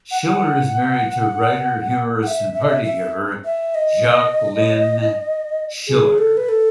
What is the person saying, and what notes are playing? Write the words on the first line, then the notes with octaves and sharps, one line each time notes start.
Schiller is married to writer, humorist and partygiver Jacque Lynn Schiller.
F#5
F#5
F#5
E5
E5
D#5
E5
E5
E5
D#5
G#4
A4
B4
A4